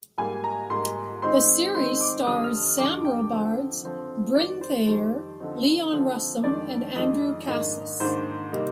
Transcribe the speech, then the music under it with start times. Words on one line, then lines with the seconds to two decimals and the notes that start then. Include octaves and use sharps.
The series stars Sam Robards, Brynn Thayer, Leon Russom and Andrew Cassese.
0.18 G#2 G3 A#3 G#5
0.44 A#5
0.70 G#2 G3 A#3 C6
1.22 D#3 G#3 C4 D#4 C6
1.74 D#3 G#3 C4 D#4 C6
2.01 D6
2.26 F2 D3 G3 D4 D#6
2.44 F6
2.78 F2 D3 G3 D4 D6
3.05 G5
3.31 D3 F3 C4
3.83 D3 F3 C4
4.35 F2 D#3 G3 D5
4.61 C5
4.87 F2 D#3 G3 C5
5.40 D3 F3 C4 D#4
5.92 D3 F3 C4 D#4
6.44 F2 D#3 G#3 D4 D5
6.96 F2 D#3 G#3 D4 D#5
7.47 G#2 D#3 A#3 D4 D#5
8.00 G#2 D#3 A#3 D4 C5
8.52 C3 G3 A#3 D#4